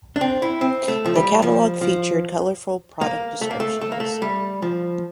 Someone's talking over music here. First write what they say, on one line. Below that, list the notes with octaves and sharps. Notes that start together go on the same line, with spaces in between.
The catalog featured colorful product descriptions.
D4
C4
E4
C4
A3
F3
G3
F3
F3
A#3
A3
A#3
A3
A3
A#3
A3
G3
F3